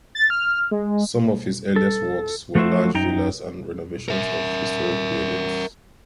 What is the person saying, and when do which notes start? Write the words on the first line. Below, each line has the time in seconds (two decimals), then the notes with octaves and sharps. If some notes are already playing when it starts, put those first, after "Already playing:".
Some of his earliest works were large villas and renovations of historical buildings.
0.15 A6
0.30 F6
0.71 G#3
1.76 A4
2.55 F3 A3 F#4 C5 E5
2.95 F#2 D#4 G5 A#5
4.08 A#4 E5